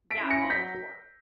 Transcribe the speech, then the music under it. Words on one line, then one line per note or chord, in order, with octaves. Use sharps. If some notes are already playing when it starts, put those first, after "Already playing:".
Yeah, oh, of cour
B6 D7
C#4 E4
A#6 C#7
F#3 G6 B6